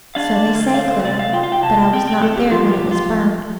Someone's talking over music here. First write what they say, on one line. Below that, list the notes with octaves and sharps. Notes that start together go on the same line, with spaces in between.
"So they say, Clara; but I was not there when it was burned."
D4 F5
D5
D3
F5
A3 F5
C5
C3 D5
F5
F4 G5
F5
G5
C3 A5
C4 G5
G5
A2 A4
G4
F3 F4
G4
F2
F4